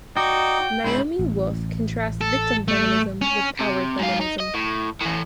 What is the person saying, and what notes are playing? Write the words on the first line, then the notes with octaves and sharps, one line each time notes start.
Naomi Wolf contrasts victim feminism with "power feminism".
D#4 F#4 D5 G5
G#2 C#3 E4 C5 B5
A1
A4
A3
C#4
C3
G#2 F4
D#4
D#5
A2
A2 E3